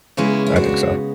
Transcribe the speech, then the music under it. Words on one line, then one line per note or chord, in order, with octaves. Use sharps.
I think so.
C#3 G#3 B3 C#4 E4
E4
D4 F#4